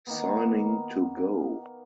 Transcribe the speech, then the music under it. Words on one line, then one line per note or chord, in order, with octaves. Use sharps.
Signing to Go!
D#3 A#3 B3